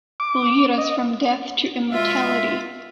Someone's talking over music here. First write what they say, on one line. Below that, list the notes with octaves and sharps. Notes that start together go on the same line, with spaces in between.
Lead us from death to immortality.
D6
D#5
B2 G#3 F4 E5